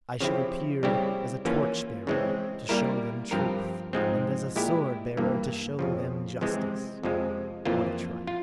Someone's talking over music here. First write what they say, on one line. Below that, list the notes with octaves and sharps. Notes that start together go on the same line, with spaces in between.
"I shall appear as a torch-bearer, to show them truth; and as a sword-bearer, to show them justice!" What a triumph!
C#3 F3 C4 E4 G4
C#3 G3 C4 E4 G4
E3 A#3 C#4 F4
C#3 E3 G#3 C4
G3 A#3 E4 A#4
G2 F3 C4 G4 A#4
G#2 F3 G#3 C4
A#2 G#3 E4 G4
G2 E3 A#3
F2 C#3 F3
C3 E3 G#3 C4
F2 C3 F3 G#3
F2 E3 A#3 F4 C5
F4